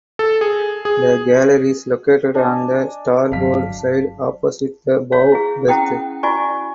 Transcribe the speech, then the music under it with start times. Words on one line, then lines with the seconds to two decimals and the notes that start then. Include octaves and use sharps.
The galley is located on the starboard side opposite the bow berth.
0.19 A4
0.41 G#4
0.85 G#4
2.35 D4 D#5 G#5
3.32 G1 C#3 F#3 F5 B6
5.12 C#5 F5
5.32 E4 G#4
5.68 C#4 E4 F#5 G5 D#6
6.23 E4 F#4 D5 G#5 C#6